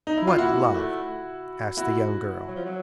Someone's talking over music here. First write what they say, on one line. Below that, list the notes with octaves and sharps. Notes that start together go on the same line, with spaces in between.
"What love?" asked the young girl.
D#4
E4
F4
A#3 E4 F#4
A3
E4 F#4
F#3
F3
F#3